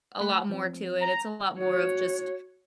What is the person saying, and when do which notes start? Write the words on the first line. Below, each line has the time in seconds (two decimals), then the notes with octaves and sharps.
a lot more to it. It's a lot more of just"
0.21 A3 B5 F#6
0.50 F3 C4
1.02 A#5
1.59 F#4 C#5